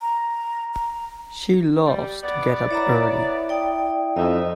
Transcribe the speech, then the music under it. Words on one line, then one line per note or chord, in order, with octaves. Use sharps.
She loves to get up early.
A#5
A#5
G3
B3 D5
E4 C#5 E5 A#5
D5 G5 D#6
F2 D#4 D#5 E5